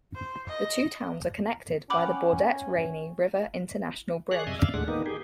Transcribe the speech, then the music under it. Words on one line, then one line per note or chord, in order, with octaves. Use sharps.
The two towns are connected by the Baudette - Rainy River International Bridge.
C5
D#5
C#4 F#5 G5 B5 D6 F6 F#7
G#4 C#5 D5 F#6
F#2 C3 D#5 E5 G#5
D5 E5 F5
D#2 A2 G#3 D4 F#5
D#3 A#3 B3 D#4
G4 G#4